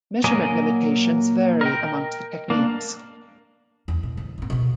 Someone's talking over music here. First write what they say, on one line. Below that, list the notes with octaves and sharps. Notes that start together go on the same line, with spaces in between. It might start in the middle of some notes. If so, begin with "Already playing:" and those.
Measurement limitations vary amongst the techniques.
A#2 F#3 A#3 A#4 D#5 G#5
A#4 D#5 G5
A#3 D4
E2
A#2
D3 F3
D2 A#2
B2 D3